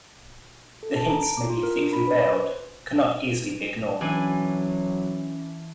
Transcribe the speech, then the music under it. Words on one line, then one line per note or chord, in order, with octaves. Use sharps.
The hints may be thickly veiled, but can not easily be ignored.
A4
A5
A#5
D7
D6
F4
A#4
D4
B5
B4
C5
C#5
E3 F#3 C#4 D4 G#5